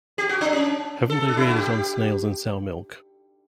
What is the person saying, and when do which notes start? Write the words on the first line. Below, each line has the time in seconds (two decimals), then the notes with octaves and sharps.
Haven’t they reared it on snails and sour milk?
0.18 G4
0.29 F#4
0.41 D4
0.53 C#4
1.10 A4
1.28 D4
1.37 E4
1.47 F#4
1.56 G4